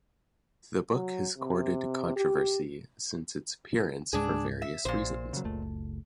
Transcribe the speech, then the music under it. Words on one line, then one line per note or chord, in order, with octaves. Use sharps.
The book has courted controversy since its appearance for various reasons.
F#3
C3
G4
C#2 G#2 G#3 D4 G#4
E5
A#1 A#2 C5
C#3 F#3
F#1 C#2 A3